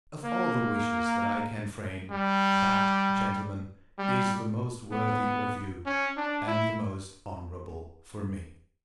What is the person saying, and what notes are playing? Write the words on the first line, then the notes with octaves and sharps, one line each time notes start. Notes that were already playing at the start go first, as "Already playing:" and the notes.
Of all the wishes that I can frame, that, gentlemen, is the most worthy of you and the most honorable for me.
A#3
G3
G3
B3
C#4
D4
E4